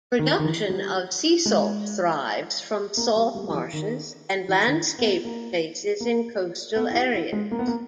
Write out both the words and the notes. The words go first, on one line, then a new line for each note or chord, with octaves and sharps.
Production of sea salt thrives, from salt marshes and landscaped places in coastal areas.
D#3
D#3
E3
G3
G#3
A#3
G3
G3
G3
E3
D#3
E3
D#3
B3
A#3
A#3
A#3
B3
E4
G4
E4
G#3
A#3
B3
A#3